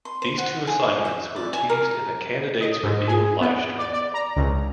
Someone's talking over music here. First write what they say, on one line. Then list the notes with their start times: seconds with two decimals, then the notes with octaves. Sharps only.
These two assignments were teased in the Candidates Reveal Livestream.
0.05 C6
0.22 C5
0.38 F#5
0.67 G#4
1.05 E5
1.36 D5
1.53 G#5
1.69 A#4
2.61 D#5
2.83 G#2
3.08 G#4
3.41 B3
3.78 D5
3.93 D5
4.14 A#5
4.36 C#2